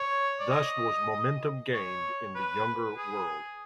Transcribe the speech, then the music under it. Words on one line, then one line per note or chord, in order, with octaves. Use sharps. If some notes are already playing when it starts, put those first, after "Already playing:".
Thus was momentum gained in the Younger World.
Already playing: C#5
D5
D#5
C#5
B4
G#4